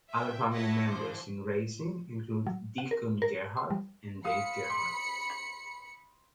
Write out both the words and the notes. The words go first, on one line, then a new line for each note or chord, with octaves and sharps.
Other family members in racing include Deacon Gerhart and Dave Gerhart.
E5 G5
B4 C#5 D#5 E5 F#5 A5
D3 E3 F3 C5
F#3
F#5
A#4
A#4
C6
G3
F4 F5 B5 D#6 C#7
C6 D6